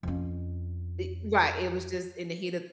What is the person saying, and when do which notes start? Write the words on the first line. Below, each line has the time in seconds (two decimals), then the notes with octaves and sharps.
eh right, it was just in the heat of
0.03 F2 C#4